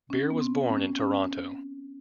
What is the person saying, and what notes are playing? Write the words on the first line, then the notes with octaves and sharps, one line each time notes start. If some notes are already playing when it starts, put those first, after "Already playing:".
Beer was born in Toronto.
C#4
B3
C4
C#4
C#4